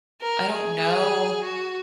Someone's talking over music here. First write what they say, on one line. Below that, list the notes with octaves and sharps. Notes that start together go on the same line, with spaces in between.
I don't know
A#4
G#4
F#4